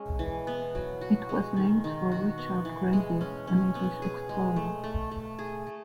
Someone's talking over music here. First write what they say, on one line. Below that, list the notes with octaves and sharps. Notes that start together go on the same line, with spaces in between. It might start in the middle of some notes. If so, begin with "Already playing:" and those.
It was named for Richard Grenville, an English explorer.
Already playing: G#3 C#4
E3
B3
F#3
F#4
G#3
D#3
D#3
F#4
B3
E3
G#3
C#4
C#4
B3
G#4
G#3
A3
A3
A3
G#4
A3